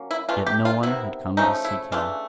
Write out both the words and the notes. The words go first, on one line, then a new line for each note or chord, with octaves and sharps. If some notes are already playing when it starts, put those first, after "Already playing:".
Yet no one had come to seek him.
Already playing: F#3 A#3 C#4
E4
E3 A3 D4 F4
G4
F4
C3 D#3 F#3 B3 E4
C#3 F3 A3 C#4 D#4
E4
C#3 E3 A3 D4 F4